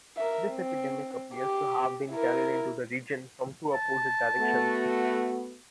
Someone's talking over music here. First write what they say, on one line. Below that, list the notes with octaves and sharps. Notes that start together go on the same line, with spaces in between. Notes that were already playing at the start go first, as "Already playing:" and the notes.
This epidemic appears to have been carried into the region from two opposing directions.
A#4 E5
C4
G4
E4 A#4
A5
A3 B3 F#4